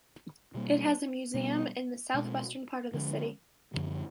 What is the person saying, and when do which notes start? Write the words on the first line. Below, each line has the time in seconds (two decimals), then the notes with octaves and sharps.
It has a museum in the southwestern part of the city.
0.54 B2 G3 A#3
1.34 B2 G3 B3 D4
2.14 B2 G#3 C4
2.94 D3 F3 G#3 C#4
3.74 F#2 D3 F3